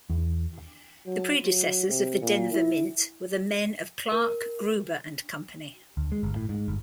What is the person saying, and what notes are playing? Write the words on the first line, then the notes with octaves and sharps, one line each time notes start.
The predecessors of the Denver Mint were the men of Clark, Gruber and Company.
E2
F#3
F#3
C3
A#2
E4
A#4
D2
G#3
G1
A2
G#2
G1